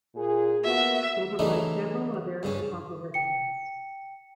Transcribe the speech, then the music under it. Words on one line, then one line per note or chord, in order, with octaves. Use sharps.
They devised several other algorithms.
A#2 G#4
A#3 B3 F#4 E5
C#3 E3 A3 D4 D#4
G2 C#3 C#4
G5 C#7